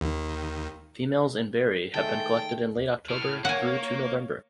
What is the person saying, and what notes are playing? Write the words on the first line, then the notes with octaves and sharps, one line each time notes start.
Females in berry have been collected in late October through to November.
D#2 D#3
D#3 G#3 A3 G5 A5
A2 F6
A#3 C#5 F#5 G#5